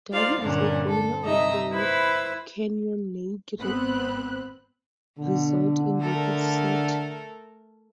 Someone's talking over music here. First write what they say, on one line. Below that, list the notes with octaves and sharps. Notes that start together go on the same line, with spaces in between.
Derby is the owner of the Canyon Lake Resort in Rapid City.
G#3 D#4 F4 C5 D5 F5
G2 A#2 D3 C#4 D4 A#4
A4
G2 C3 D#4 D#5 E5 E6
E4 B4 C5 E6
G#1 B3 C4 B5 F#6
B2 D3
A3 A4 A#4